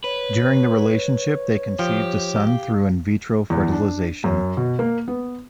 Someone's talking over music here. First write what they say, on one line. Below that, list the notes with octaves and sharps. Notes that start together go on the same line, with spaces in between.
During the relationship they conceived a son through in vitro fertilization.
B4 C#5
F3 G4
F5
E2
D4
F#2
B2
A#3
B3